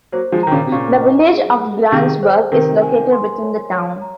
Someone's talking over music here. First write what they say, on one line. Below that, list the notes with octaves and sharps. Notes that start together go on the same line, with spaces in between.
The village of Grantsburg is located within the town.
F#3 A#3 C5
F3 G#3
D#3 A#5
A#2 C#3
C3
A#2 C#3 C#6
D#5
G#4
F#5
C3 D#3 G#4
C5
C3 D#3 A#4
G#5
C6
C#5
C#5
A#5